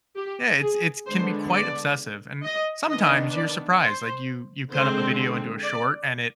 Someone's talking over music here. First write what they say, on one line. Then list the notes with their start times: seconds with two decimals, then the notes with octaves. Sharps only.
yeah, it's it's can be quite obsessive, and sometimes you're surprised, like, you you cut up a video into a short, and it
0.16 G4
0.62 G#4
1.07 D3 G#3 B3 D4 C5
1.53 D5
2.44 D#5
2.90 D#3 B3 D4 D#5
3.35 D5
3.81 C5
4.73 D3 G#3 C4 C5
5.63 D5